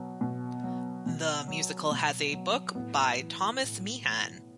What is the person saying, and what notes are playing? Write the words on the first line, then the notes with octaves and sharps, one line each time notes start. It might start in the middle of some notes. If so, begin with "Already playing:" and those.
The musical has a book by Thomas Meehan.
Already playing: B2 F#3
B2
F#3
B2
F#3
B2
F#3
A2 B3
E3
A2
E3